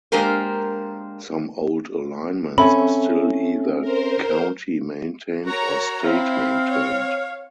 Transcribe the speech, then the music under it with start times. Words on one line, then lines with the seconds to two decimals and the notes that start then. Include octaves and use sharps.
Some old alignments are still either county-maintained or state-maintained.
0.12 G#3 A#3 D4 G4 A#4 C5
2.58 C4 C#4 A4 E5 B5
3.81 A#4 C5
5.46 F#4 A#4 C#5 A#5
6.04 C4 E4 F5
6.69 C#5